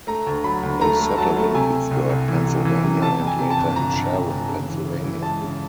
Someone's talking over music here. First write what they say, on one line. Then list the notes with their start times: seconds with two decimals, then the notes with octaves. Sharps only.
They settled in Pittsburgh, Pennsylvania and later in Sharon, Pennsylvania.
0.07 A3 A#5
0.26 D2
0.44 F#3 B5
0.63 D2
0.81 A3 A#5
0.99 A3
1.17 F#3 A5
1.37 A3
1.54 C3 G#5
1.73 C3
1.91 C2
2.09 C2
2.29 E3
2.47 C3
2.65 E3
2.83 C3
3.02 C3 A5
3.20 F2
3.27 G#5
3.39 C3
3.50 A5
3.57 G1
3.76 G1 A#5
3.93 G1
4.13 G1
4.30 G1
4.49 C#3
4.68 E3
4.85 C#3
5.04 E3
5.22 G#3 A5
5.41 C#3